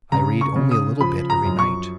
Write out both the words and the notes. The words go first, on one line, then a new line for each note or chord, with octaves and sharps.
I read only a little bit every night.
C#3 A#5
C#6
C#3
D#6
F3 B5
A#5
F#2
C#6